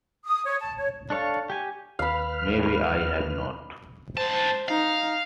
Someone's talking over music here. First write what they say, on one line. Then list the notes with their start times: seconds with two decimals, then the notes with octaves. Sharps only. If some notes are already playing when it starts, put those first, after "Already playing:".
May be, I have not.
0.24 D#6
0.45 C#5
0.60 A5
0.76 C#5
1.10 D4 A4 C#5 F5
1.50 G4 G#5
1.99 D#2 B4 F5 B5 F6
4.17 G#2 C5 A5
4.68 D#4 F5